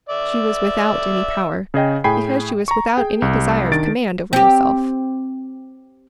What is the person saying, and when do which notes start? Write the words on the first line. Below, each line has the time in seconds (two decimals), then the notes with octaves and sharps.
She was without any power, because she was without any desire of command over herself.
0.09 D5 E5
1.74 C#3 G#4 D#5 G5
2.04 A2 G#4 G5 G#5 B5 C7
2.68 A#5 C#6
2.98 G#4 G5
3.22 C2
3.71 D#3 D4 A6 D7
4.33 C4 G4